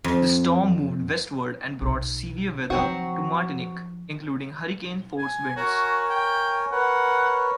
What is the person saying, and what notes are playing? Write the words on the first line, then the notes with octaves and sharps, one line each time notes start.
The storm moved westward and brought severe weather to Martinique, including hurricane-force winds.
F2
B1
D#3 F3 F#3 C4 F#4
G#5
F#4 A#4 C#5 G#5
G5
A#4 B4 C#5 F#5